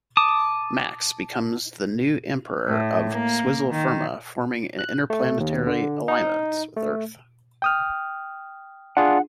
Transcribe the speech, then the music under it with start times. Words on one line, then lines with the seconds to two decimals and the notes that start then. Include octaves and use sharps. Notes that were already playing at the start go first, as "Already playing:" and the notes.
Max becomes the new emperor of Swizzle Firma, forming an interplanetary alliance with Earth.
0.17 A5 D6 D#6
2.68 A2
3.12 A#3
3.71 D#3
4.79 F#6
5.10 A3
5.40 D#2
5.67 D3
6.08 D#4
6.76 A3
7.62 G5 D#6 F6
8.97 D4 F4 G#4 F#5